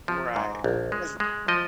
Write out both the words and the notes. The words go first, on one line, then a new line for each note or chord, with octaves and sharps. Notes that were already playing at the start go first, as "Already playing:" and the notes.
Right. 'Cause
F3
G#2
A#1
G#3
G#3
F3 D#5